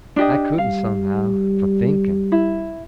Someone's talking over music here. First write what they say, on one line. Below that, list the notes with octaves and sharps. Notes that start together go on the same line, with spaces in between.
I couldn't, somehow, for thinking.
D4 G4 D#5
G3 F5
E4